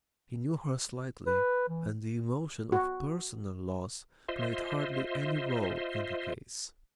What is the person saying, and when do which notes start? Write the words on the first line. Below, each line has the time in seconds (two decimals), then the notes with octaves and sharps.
He knew her slightly and the emotion of personal loss played hardly any role in the case.
1.27 B4
1.69 E3
2.72 F#4
4.29 F4 C5 D#5 E5 C6